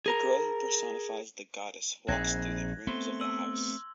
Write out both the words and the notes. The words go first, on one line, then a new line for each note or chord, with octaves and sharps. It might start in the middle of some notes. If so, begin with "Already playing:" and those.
The girl who personifies the goddess walks through the rooms of the house.
G#4 A#4 A#5
A#1 C4 D#4 G#4 F#6 G#6 A#6
A3 B3 C4 C6 G7
E6 F#7